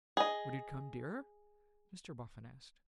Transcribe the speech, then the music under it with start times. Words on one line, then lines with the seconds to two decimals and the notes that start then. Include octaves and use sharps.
'Would it come dearer?' Mr Boffin asked.
0.17 G#4 D#5